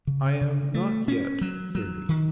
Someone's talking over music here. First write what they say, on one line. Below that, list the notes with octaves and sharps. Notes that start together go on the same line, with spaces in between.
'I am not yet thirty.'
C#3
C#3
A3
C#4
F#3
F#3
D#3